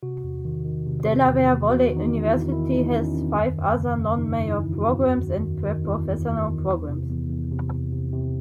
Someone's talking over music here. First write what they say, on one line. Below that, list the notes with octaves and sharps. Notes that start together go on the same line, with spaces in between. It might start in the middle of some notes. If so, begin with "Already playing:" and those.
Delaware Valley University has five other non-major programs and pre-professional programs.
C3 F#4
E2
D#3
D#3
C3
C3
E2
E2
E2 F#4
D#3
D#4
D#3
E4
E2
D#3 E4
E2 D#4
E2 C#4
D#3 C4
F#2
F#2
C#3
F#2
C#3 D#4
F#2
E4
E3
F#4
F#2
E2 F#4
D#3
D#3
D#3
E2 E4
E2
D#3
E2
E2
C3
E2
E2
C3
E2
C3
C3